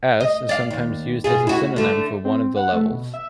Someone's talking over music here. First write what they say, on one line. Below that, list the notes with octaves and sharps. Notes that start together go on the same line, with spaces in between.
"S" is sometimes used as a synonym for one of the levels.
D#5
D5 F5
D#2
B2 F4 G#4
E4 F#4
D3 A3
C4
F#5
A3
B2
E5